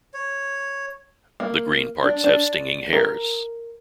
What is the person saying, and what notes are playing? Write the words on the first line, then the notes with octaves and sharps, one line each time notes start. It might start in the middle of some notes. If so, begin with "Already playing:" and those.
The green parts have stinging hairs.
C#5
A#3
D4
D4
A#4